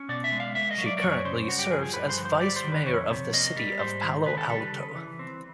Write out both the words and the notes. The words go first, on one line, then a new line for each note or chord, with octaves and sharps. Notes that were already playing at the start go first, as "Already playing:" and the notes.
She currently serves as Vice Mayor of the City of Palo Alto.
Already playing: C#4
B2 D5
E5
G#3
F5
A#3 E5
D#5
F#3
D5
D5
F#2 C#5
C#3 C5
G2 F#4
G4
F3 G#4
G#4
G2 B4
C5
D3
C5
G3 D5
C5
D#3
B4
F2 C#5
C3
A#3 D#5
G3
G#2 C5
D#3
C#3 B4
A4
G3 A4
B4
C#3
E3
C4